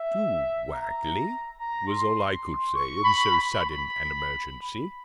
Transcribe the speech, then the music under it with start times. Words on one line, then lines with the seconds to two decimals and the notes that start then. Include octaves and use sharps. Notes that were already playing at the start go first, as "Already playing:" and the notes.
"Too waggly?" was all I could say in so sudden an emergency.
Already playing: E5
0.72 A#5
1.59 A#5
1.88 C6
2.75 C#6
3.04 B5
3.33 B5
3.62 B5